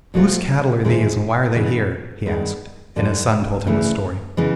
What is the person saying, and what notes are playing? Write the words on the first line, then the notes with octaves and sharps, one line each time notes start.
'Whose cattle are these, and why are they here?' he asked; and his son told him the story.
B2 F#3 A3 C4 F4
G#2 D#3 G#3 C4 E4
C#3 E3 G#3 B3
G2 D#3 G#3 B3
F#2 D3 G3
D2 C#3 E3 A3
C#3 E3 G#3 B3